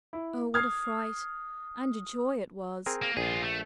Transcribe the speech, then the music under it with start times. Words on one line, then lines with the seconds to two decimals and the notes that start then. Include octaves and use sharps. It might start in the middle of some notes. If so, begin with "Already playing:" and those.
Oh, what a fright and a joy it was!
0.13 E4
0.54 D#6 F6 G#6 C7
2.86 C4 G#4 A#4
3.02 A#3
3.17 A#1 F4 G#4
3.43 A3